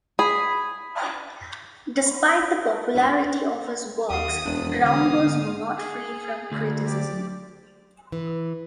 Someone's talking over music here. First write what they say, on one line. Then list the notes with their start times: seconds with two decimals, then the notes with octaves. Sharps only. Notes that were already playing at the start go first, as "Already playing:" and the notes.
Despite the popularity of his works, Graun was not free from criticism.
0.19 G#4 B5
4.10 D#2 G4 F5 D#6
4.46 E1 F2 D4
4.84 D3 F5 D#6
5.26 G#2
5.77 G#4
6.52 D2
6.86 G4 D5
8.12 E3